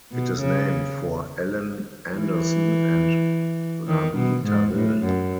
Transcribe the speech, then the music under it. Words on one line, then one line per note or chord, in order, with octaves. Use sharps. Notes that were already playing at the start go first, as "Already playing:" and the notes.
It is named for Ellen Andersen and Rabi Tawil.
B2
C#3
E3
D#3
B2
G#2
A2
F#2